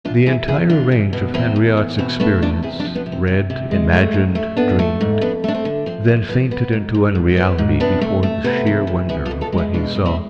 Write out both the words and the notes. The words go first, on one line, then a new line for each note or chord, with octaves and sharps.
The entire range of Henriot's experience, read, imagined, dreamed, then fainted into unreality before the sheer wonder of what he saw.
E2 D4 F4
E2 E4 G#4
E2 E4 G#4
E2 D4 F4
E2
B2
E2 C4
E2
E2
B2 C4
A3 B3 D4
E2 D4 F4
C3 E4 G#4
D4 F4
F3
B3 D4
C3
C4
C3
C3
G#3
A3
G#2
A3
G#2 B3 D4
A3
G#2
F2 B3 D4
A3 D4
C4
D3
F3 C4
F3
F3 B3
B3
G#2
G#2
G#2
B3
G#2
C3 B3 D4
A3
A3
C3 B3
E3
C3
B3 E4 G#4
F4 A4
B2
F4 A4
G#3
E4 G#4
B2 D4 F4
G#3
C4 E4